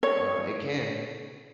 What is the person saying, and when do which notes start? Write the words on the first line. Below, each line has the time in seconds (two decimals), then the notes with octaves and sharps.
Uh, it can.
0.03 C#5